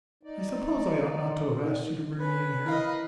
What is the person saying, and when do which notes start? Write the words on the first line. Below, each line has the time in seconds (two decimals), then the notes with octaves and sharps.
I suppose I ought not to have asked you to bring me in here.
0.23 D#4 D5
1.64 D#3
2.19 C#4 B4
2.66 E4 A#4 D#5 F5 B5